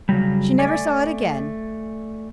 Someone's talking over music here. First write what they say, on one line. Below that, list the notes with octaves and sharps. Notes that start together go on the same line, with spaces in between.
She never saw it again.
C#3 F#3 G3
A3 D5 G#5